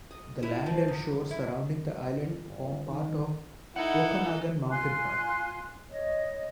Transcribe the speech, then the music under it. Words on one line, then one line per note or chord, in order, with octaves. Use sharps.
The land and shore surrounding the island form part of Okanagan Mountain Park.
D#5
E4
F3
E2
E4
G1
D#3
D#4 E4 A4 F#5
F4 G#5 C6 F#6
C#5 D#5